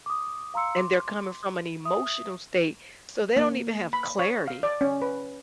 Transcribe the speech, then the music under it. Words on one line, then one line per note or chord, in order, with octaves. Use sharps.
and they're coming from an emotional state, so they don't even have clarity.
D6 D#6
F5 A#5 C6 E6 C#7
C6 D6
E5 D#6
A#3
B5
C#5
F5
D5
C#4
B4